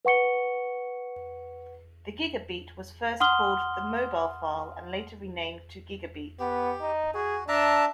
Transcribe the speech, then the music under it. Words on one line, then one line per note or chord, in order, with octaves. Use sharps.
The Gigabeat was first called the MobilPhile and later renamed to Gigabeat.
B4 F#5 C#6 C#7 G7
F#5 C6 D#6 F6 G7
B3 G4
D#4
F#4 G#4
D4 E5 A5 A#5